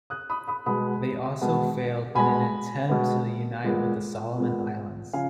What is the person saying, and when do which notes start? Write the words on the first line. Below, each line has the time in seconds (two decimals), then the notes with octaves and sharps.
They also failed in an attempt to unite with the Solomon Islands.
0.10 D#6 F#6
0.30 B5 D#6
0.48 B5 D#6
0.66 B2 G#3 B3 B5 D#6
1.42 B2 G#3 B3
2.15 B2 G#3 B3 G#5 B5
2.89 B2 G#3 B3
3.64 A#2 G#3 B3
4.38 A#2 G#3 B3
5.13 C#3 F3 F5 G#5